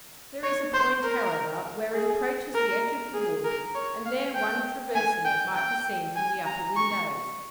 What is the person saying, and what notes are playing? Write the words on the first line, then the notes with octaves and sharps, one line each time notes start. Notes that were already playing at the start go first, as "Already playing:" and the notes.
There is a point, however, where it approaches the edge of the wood, and there one traversing it might be seen from the upper windows.
C#5
C5
A#4
G#4
A#4
G#4
A#4
C#5
F5
G5
G#5
G5
G5
G#5
A#5
C#6